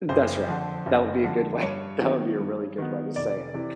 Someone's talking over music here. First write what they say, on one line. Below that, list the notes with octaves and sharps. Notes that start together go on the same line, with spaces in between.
That's right. That would be a good way. That would be a really good way to say it,
F#1 C5
F2 D3
F#1
F2 D3
G2 C#5
D#3 F#3 B3
G2
D#3 F#3 B3
F1 D5
C3 E3